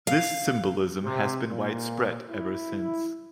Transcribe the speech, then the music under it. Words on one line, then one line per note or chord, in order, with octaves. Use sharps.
This symbolism has been widespread ever since.
F5
C3
A#2
E4